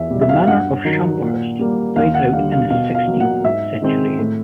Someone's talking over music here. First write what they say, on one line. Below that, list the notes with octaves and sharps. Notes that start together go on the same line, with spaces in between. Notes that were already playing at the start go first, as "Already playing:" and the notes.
The Manor of Shamblehurst died out in the sixteenth century.
Already playing: E2 E5
B2 G3
E5
F5
F5
G2 F#5
D#3 F#3
A#2
G3 A#3
D#2 F5
F#5
D3 G3 F5
F5
B2 F5
F5
F#3 A#3
F#5
G#2 E5
D#3 G#3 C4
A2